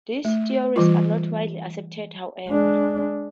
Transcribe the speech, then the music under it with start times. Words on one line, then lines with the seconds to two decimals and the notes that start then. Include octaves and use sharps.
These theories are not widely accepted, however.
0.25 A3
0.76 E3 G3 F4
2.49 G#3 D4